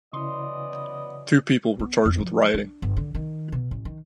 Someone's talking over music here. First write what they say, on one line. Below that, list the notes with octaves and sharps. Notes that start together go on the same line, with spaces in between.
Two people were charged with rioting.
F#2 C#3 E3 B3 E4 D5 D#5 C6
B3
F2
F3
D4
G1
D3
D#3
B2
A1
D#3